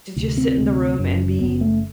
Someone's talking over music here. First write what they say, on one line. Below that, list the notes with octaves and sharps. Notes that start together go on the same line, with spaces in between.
to just sit in the room and be
D2 C3
C4
D2 C3
F#1 F#2 C#3
F#1 F#2 C#3 B3
A3